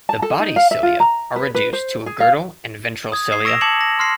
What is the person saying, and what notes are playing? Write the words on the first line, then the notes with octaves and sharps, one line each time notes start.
The body cilia are reduced to a girdle and ventral cilia.
A5
A4
D#4
F5
E5
F4
A#5
B4
B4
C5
G#4
F5
D#6 G#6
C7
C#6 E6 A#6 D7 E7 F7
A5 D6 G#6 C#7 E7 F#7
A#6
C6 F6 A#6 C7